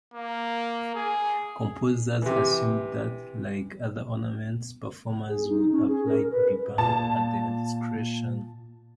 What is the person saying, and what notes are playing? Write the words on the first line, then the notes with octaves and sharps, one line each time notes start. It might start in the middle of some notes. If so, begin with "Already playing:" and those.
Composers assumed that, like other ornaments, performers would apply "bebung" at their discretion.
A#3
G#4
C3 E3
G#4
D#4
C#4
G#4
A#4
B4
A#2 A5